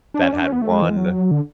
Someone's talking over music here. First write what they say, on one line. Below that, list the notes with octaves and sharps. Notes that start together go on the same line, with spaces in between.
that had one
D4
C#4
D4
C#4
B3
A3
G#3
E3
G#3
F#3
D3